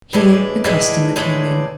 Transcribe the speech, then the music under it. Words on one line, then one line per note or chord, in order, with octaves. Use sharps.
Here a customer came in.
A2 E3 G#3 D4
A2 E3 G#3 D4
A2 E3 G#3 D4